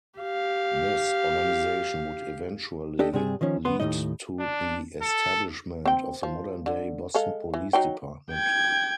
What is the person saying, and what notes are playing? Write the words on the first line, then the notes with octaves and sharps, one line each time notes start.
This organization would eventually lead to the establishment of the modern-day Boston Police Department.
G4 F5
D4 G4 A4 D#5
G2 C3 G3 G#4
D#3 F3 C#4
D2 B3 C6
D#2 A2 C#3 D#4 D#5
D4
A4
C4 G5
F3
D3
G#3 A4 F5
E3
F#3 D#4 G5
G5 G#6